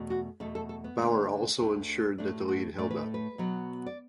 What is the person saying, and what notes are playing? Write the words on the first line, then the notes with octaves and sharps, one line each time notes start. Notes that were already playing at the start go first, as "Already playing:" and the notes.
Bauer also ensured that the lead held up.
Already playing: E2 B2 A3
F#4
E2 B2 A3 A4
A4
A4
B3
D2 D3 A3
D2 D3 A3
A2 A3 D4
F#4
A2 A3 D5
B4
A4
B4
B2 F#3 B3
D5